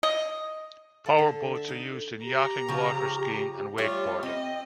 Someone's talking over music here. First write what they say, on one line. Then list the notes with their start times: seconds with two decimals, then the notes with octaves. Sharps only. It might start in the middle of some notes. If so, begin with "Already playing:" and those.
Power boats are used in yachting, waterskiing and wakeboarding.
0.03 D#5
1.06 A4
1.18 D3
1.55 E5
1.68 D#4
2.23 G4 A#5
2.68 C#3 F3
3.78 G3 A3 F4 C#5
4.23 C4 D#5